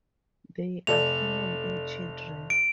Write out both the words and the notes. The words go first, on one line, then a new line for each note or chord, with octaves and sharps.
They are common in children.
F1 A4 D5 F7
D7